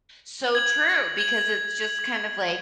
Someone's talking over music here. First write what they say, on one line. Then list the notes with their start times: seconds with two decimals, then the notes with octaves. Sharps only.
so true because it's just kind of like,
0.55 G#6 F#7
1.18 G#6 F#7
1.82 G#6 F#7
2.45 G#6 F#7